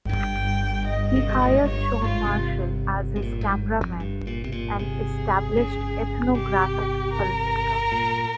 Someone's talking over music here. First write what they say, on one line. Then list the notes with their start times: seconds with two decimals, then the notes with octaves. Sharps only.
He hired John Marshall as his cameraman, an established ethnographic filmmaker.
0.09 G2 G5
0.88 D#5
1.16 C#3
1.29 C3
1.42 A#2
1.53 G#2
1.66 G2 C#5
2.04 G#2 F4
2.25 C3
3.16 C3
3.22 A#2
3.41 G#2
3.81 F2
4.00 G2
4.27 A#2
4.44 C3
4.52 A#2
4.79 C3 G#4
5.57 C#3
6.35 C3 G4
7.13 A#4
7.92 A#2